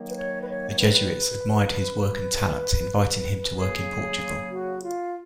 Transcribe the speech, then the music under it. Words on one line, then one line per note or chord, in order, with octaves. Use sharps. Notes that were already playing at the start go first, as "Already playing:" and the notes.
The Jesuits admired his work and talent, inviting him to work in Portugal.
Already playing: D#3 F#3 A#3
B4
C#5
B4
C#5
C#5
B4
C#3 F#3 A#3 G#4
F#4
F4